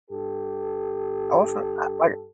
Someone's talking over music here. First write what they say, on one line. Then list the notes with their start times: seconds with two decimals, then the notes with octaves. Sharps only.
I wasn't uh, like
0.10 G2 G4 A4